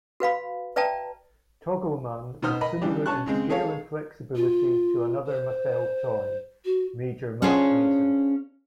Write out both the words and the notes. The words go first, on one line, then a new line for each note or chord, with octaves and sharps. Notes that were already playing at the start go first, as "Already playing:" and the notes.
Tog'lman was similar in scale and flexibility to another Mattel toy, Major Matt Mason.
F#4 B4 F5 B5
B4 D5 E5 G5 A5 A#5
B2 B3 D#4 C5 D#6 F6
A#4 D#5 B5
C#3 E3 G3 D4 G4
C#4 D4 A5 C#6 F#6
C#3 G#3 C4
G#4 A4 C#5 F5
F4
C5
F#4
C#4 D4 F4 G#4 C5